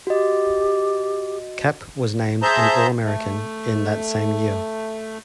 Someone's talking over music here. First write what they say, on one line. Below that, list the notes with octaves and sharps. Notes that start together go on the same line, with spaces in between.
Kapp was named an All-American in that same year.
F#4 G4 D#5
G#4 C5 E5 A5 A#5 G6
A3